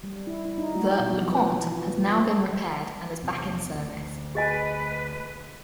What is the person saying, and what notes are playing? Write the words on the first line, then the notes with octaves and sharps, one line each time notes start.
The "LeConte" has now been repaired and is back in service.
G3
E4
E4
D#4
F#4
B2
F3
B4
E3
F4
F#3
F4
E2 C3
D2
G#4 B4 D#5 G#5